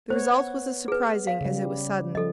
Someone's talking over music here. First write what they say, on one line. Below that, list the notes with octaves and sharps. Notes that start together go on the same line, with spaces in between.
The result was as surprising as it was sudden.
B3 C5 C#5
G#4 B4
F5
C#3 G3
F3 A4 D#5